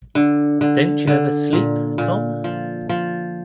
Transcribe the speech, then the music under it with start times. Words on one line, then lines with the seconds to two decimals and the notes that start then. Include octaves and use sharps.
Don't you ever sleep, Tom?
0.15 D3
0.61 D3
1.07 D3
1.53 A#2
1.98 A#2
2.44 F3
2.89 F3